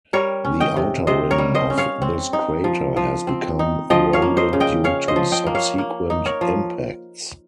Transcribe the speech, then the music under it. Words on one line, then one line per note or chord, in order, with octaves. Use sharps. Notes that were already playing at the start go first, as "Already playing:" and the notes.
The outer rim of this crater has become eroded due to subsequent impacts.
G3 A#4 C#5
C#4
D#5 G5
C3
C3 C5 D#5
A#4 C#5
G3
C5 D#5
C#4
C#5 F5
C4
D#4
F3
F3
C4
D#4
F3 D#5 G5
C#5 F5
A#3
C5 D#5
C#3
D#5 G5
C#4 C#5 F5
C5 D#5
F3
D#5 G5
A#3
C#5 F5
A#3
D#4
A#4 C#5
F3